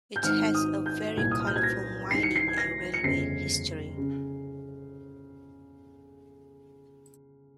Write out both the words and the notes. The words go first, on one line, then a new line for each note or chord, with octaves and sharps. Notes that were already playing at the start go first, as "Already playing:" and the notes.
It has a very colourful mining and railway history.
G6
G#1 G#2 D#3 F6
D#6
G6
C2 A#2 G#6
D#6
F6
G6
G#6
A#6
C2 C3 D#3 C7
C#7
C7
G#6
A#6
C#7
G1 F2 C#3 C7
C#3